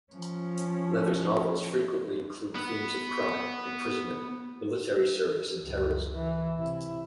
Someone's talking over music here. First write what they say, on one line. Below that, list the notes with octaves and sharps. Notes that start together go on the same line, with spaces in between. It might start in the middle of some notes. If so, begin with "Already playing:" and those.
Leather's novels frequently include themes of crime, imprisonment, military service, and terrorism.
F3 C#4
B3 B4
C#2 F#2
E3
C3 E4